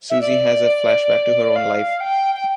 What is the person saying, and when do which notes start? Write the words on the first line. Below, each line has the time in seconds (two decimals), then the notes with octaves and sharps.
Susie has a flashback to her own life.
0.10 E5
0.21 D5
1.56 F5
2.00 G5
2.35 G5